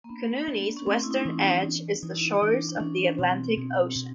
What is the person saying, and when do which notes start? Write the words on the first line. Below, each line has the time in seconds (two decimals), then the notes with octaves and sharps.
Kunene's western edge is the shores of the Atlantic Ocean.
0.04 A#3
0.09 B3 D4
0.48 D4
0.77 C#4
0.86 A3 C4
1.04 E4
1.11 D#4
1.18 D4
1.25 E3 C#4
1.64 D4
2.03 E3 D#4
2.11 E4
2.18 D#4
2.42 E3 D4
2.69 D4
2.80 E3 C#4
3.18 B2 C4
3.57 B2
3.95 B2